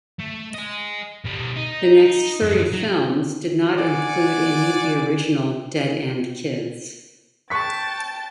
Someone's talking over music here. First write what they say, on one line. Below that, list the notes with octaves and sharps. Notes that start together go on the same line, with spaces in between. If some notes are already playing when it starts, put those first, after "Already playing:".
The next three films did not include any of the original Dead End Kids.
A3
D#5 G#5
B2 G3
D#4
F#2 F3
F#3
D5 F#5 G#5
G5 A5 C#6 F#6 A6 B6